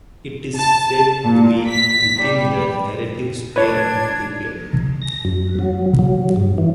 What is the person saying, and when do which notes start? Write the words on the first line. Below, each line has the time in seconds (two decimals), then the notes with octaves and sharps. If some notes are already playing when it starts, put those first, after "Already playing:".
It is said to be within the narrative sphere of the film.
0.56 A5
1.24 A#2
1.69 B6
2.22 G3
3.56 D4 B4 C#5 G#6
5.02 A#6
5.25 F#2
5.59 F#3
5.99 F#3
6.36 G2
6.58 E3